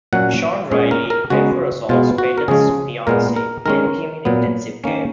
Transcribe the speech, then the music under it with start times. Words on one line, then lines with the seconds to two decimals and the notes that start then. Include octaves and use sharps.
Sean Riley therefore assaults Peyton's fiance, leaving him in intensive care.
0.13 A#2 F#3 C#4 F#5
0.71 A#2 G#3 C#4 G#4
0.91 A#4
1.10 A#4
1.30 C#3 G#3 B3 F#4
1.89 B2 G#3 B3 F4
2.18 F#4
2.38 A#4
2.48 C#3 F3 G#3 C#4 G#4
3.07 A#2 G#3 B3 A#4
3.36 A#4
3.66 D#3 G#3 C#4 A#4
4.25 A#2 F#3 B3
4.84 D#3 A#3 C#4